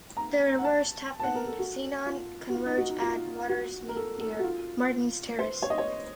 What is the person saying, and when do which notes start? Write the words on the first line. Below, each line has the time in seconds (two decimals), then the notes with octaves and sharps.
The rivers Taff and Cynon converge at Watersmeet near Martin's Terrace.
0.17 A#5
0.58 F#5
0.65 A5
1.20 A5
1.23 F#5
1.35 A#4
1.47 A4
1.59 F#4
2.06 F4
2.50 F#4
2.54 F4
2.66 D#4
2.77 F#4
2.90 D#4
3.02 F4
3.49 F#4
3.88 A#4
3.96 A4
4.20 A4
4.39 F#4
4.44 F4
5.39 C5
5.62 C#5
5.70 D#5
5.78 C#5